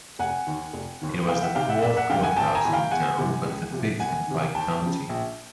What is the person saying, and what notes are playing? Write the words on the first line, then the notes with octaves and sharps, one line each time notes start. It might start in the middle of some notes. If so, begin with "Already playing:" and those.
It was the fourth courthouse in the town, but the fifth in Pike County.
F1 F#5 G#5
D#2 D#3
F1
D#2 D#3
C2 F5 G5
E5 F#5
C3 D#3 F5 G5
E5 F#5
F#1 D5 E5
E5 F#5
F2 D3 F5 G5
F#5 G#5
A1 G5 A5
G#5 A#5
A2 E3
F5 G5
E2 F#5 G#5
C3 E3
C#2
C3 F3
C2 F#5 G#5
C3 D#3
D#2 G5 A5
C#3 F3
A#1